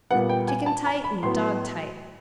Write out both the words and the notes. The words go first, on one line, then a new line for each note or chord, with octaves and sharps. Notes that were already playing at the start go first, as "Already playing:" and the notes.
Chicken-tight and dog-tight.
A#2 G3 B3 F#5
G5
G#5
A5
A#5
B5
A2 F#3 B3 C6